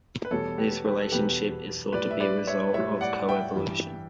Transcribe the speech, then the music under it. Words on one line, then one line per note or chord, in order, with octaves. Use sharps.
This relationship is thought to be a result of co-evolution.
B4
E2 B2 G3 A4 C#5
G4 B4
G4 B4
A4
E2 B2 G3 G4 B4
A2 G3 B4 D5
E5
B4 D5
C#5 E5
A2 G3 C#5 E5
D5 F#5
E5 G5
G2 E3 G3